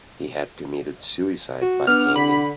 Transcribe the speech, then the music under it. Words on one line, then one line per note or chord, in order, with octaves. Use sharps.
He had committed suicide by hanging.
F#4
B3 D4 F#5 D6 F6
D3 B5